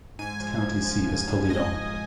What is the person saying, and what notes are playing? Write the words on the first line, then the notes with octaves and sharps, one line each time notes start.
Its county seat is Toledo.
G#2 G#5
F3
F3
F3
G#2
G#2
F3 D#5
G#2